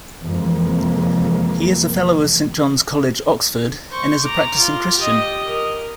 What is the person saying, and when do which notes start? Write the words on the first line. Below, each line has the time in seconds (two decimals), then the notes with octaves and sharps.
He is a Fellow of Saint John's College, Oxford, and is a practising Christian.
0.23 F2 C3 E3 G#3 A#3
3.91 C5 C#6
4.23 A#5 D6
4.58 F4
4.97 G4 D#5
5.48 A#4